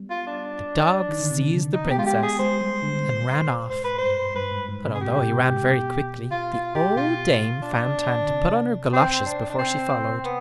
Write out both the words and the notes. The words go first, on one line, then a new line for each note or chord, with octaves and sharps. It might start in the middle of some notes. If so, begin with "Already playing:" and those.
The dog seized the Princess, and ran off; but although he ran very quickly, the old dame found time to put on her goloshes before she followed.
Already playing: G3 B3
F4
D4
D#3
D3
C3
D3
D#4
B3
G4
G#3 F4
B3 G4
G#4
G#3 C5
G3
D3
B2
G#2 C5
B4
G2 C5
G2 B4
G#2
G#2
C3
G#4
C3 G4
B2
C3
G#2
G#2
B2
F4
F4
G4
B2 F4
D4
D3
C3
C4
D4
D4
C4
B3